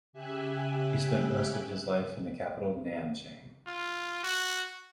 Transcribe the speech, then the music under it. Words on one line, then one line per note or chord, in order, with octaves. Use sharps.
He spent most of his life in the capital Nanchang.
C#3 G4 E5 G#5 F#6
F4
F#4